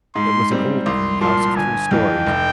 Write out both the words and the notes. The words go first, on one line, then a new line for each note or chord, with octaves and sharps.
It was an old green house of three storeys.
G#2 C6
G3 C4
C2 C6
A#2 F3 C6
G1 G#5
F2 E3 G5
F1